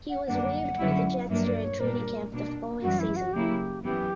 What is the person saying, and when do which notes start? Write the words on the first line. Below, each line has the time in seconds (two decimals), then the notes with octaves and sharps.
He was waived by the Jets during training camp the following season.
0.10 F#5
0.27 F#2 D3 G3 A#3 D4 F#5
0.78 F#2 D3 G3 C#4 E4
1.29 G2 F#3 A#3 D4 E5
1.46 D5
1.64 C#5
1.80 A#2 G3 A#3 D4 A#4
2.32 B2 A#3 D4
2.82 F#2 E3 G3 F#4
2.99 E4
3.16 F#4
3.33 C#3 F#3 A#3 E4 G4
3.84 F#2 E3 B3 G4